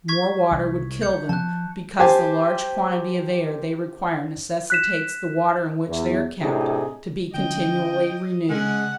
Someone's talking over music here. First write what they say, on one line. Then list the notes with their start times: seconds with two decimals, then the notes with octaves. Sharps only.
More water would kill them, because the large quantity of air they require necessitates the water in which they are kept, to be continually renewed.
0.08 C#6 G#6 B6
0.51 C2
1.02 G6 C#7
1.29 F3 A5 F#6
1.99 G4 C5 G#5 A5
4.70 F#6 B6 E7
5.89 E2
6.41 A2 C3 D4 D#4 G#4
7.34 D3 F3 C#4 D#5 G5
8.50 C#3 G#3 C#4 F#5